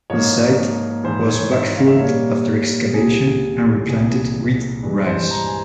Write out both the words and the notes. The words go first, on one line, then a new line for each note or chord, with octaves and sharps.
The site was backfilled after excavation and replanted with rice.
G#2 F3 A#3 C#5
G#2 E3 G#3 C5
C#5
E5
F5
E5
A#2 G3 A#3 C#5
C#2 C3 G3 A#3 G#4
C2 A#2 F3 G#4
G2 E3 G#3
C5
A#5
G#5